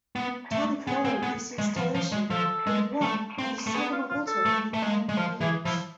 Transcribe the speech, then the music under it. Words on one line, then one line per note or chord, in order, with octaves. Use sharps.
Tunick followed this installation with one at the Sagamore Hotel in Miami Beach.
B3
A3
B3 G#4
C4
B3
G#3
F3
F3
G#3
F3 A4
G#3
A3
C4
A3
B3 G#4
F4
F4
A4
A3
A3
G#3
G#3
F3 F4
E3 G#4
F3 E4